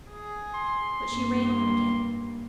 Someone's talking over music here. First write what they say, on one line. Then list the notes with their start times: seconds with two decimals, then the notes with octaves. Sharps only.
But she ran on again.
0.10 G#4
0.54 C6
1.09 G2 A#3